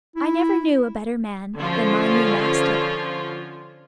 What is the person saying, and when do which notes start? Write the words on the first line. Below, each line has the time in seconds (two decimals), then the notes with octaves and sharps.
I never knew a better man than my new master.
0.16 E4
1.57 D3 F3 C#4 F4